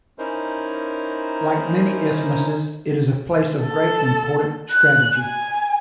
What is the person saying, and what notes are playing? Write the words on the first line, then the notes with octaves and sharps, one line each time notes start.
Like many isthmuses, it is a place of great important strategy.
C#4 D#4 E4 A#4 C5
A4
F#6
G#5